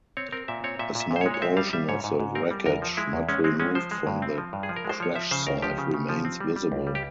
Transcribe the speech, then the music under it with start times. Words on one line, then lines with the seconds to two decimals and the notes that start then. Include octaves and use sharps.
A small portion of the wreckage not removed from the crash site remains visible.
0.17 C4 C#5
0.32 C4 A#4
0.48 A#2 E5
0.64 C4 C#5
0.79 A#2 E5
0.95 A#2
1.00 E5
1.11 A#2
1.16 C5
1.21 C#5
1.26 G#3
1.34 C#5
1.42 C4 E5
1.57 G3 F5
1.73 G3 E5
1.89 G#2 C#5
2.04 G#2
2.19 G#2
2.35 C4 A#4
2.51 G3
2.66 E2 A#4
2.82 F3
2.97 G#3 E4
3.13 E2
3.29 G#3 C#4
3.44 G#3 C4
3.60 G#3 C#4
3.75 F3 C5
3.91 G#3
4.07 G2
4.22 C4
4.38 F3
4.53 G2
4.63 G#4
4.69 F3
4.76 A#4
4.85 G#3 C5
5.00 F3 C#5
5.15 F3 E5
5.31 C#3 C5
5.47 C#2 A#4
5.62 F3 G4
5.78 C#3
5.94 C#3
6.09 F3
6.25 C4
6.40 G3
6.56 G3
6.72 C#2
6.87 G3
6.95 G4